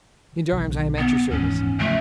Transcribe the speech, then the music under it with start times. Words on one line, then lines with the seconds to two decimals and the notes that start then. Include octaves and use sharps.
Gendarmes, I am at your service.
0.52 B1 D#3
0.98 B3
1.30 D#1 E2 G#2 C#4
1.79 C#3 F3 A3